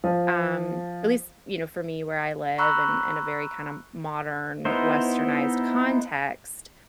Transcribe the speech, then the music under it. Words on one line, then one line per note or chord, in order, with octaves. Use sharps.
um, at least, you know, for me where I live in in a very kind of modern, westernized context,
F3
A#5 B5 C#6 E6 F#6
B3 D#4 E4 C5